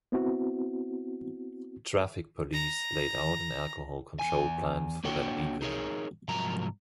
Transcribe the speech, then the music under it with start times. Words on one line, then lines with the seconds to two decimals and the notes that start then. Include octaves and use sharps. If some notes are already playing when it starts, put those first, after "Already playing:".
Traffic police laid out an alcohol control plan for that evening.
0.12 B3 C4 E4 F#4
2.53 A#5
4.19 E2 C3 G#5
5.04 A#3 D4 F#4 C#5 G5
5.62 D#4 G#4 A#4 C#5
6.28 C2 G#2 F3 F#3 A#4 A#5